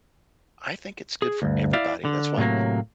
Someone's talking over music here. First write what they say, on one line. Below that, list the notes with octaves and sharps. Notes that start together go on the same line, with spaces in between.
I think it's good for everybody. That's why
G#4
D2 G2
E4 D5 E5 F5
D3
A2 C3 F#3 A#3